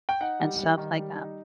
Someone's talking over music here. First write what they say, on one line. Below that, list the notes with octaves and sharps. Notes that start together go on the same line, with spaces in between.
and stuff like that.
G5
D#4 F#5
G3
G3
D#3
G3
D#4